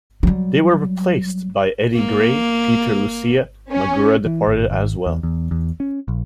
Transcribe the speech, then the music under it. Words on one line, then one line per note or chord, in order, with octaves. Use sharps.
They were replaced by Eddie Gray and Peter Lucia; Magura departed as well.
F#3 G3
A#3
C#4
E3
G#1
G#1
E2
E2
E2
C#4
A#1